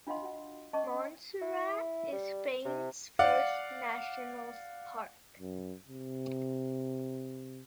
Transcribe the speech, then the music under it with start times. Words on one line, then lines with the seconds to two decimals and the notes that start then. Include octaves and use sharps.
Montserrat is Spain's first National Park.
0.07 D4 F4 D#5 F5 F#5 C6
0.23 F#4 F#5
0.73 C#4 D#5 A5 C#6 D6
1.42 E4
2.12 G3
2.65 C3
3.19 D5 F5 F#5
5.39 F#2
5.88 C3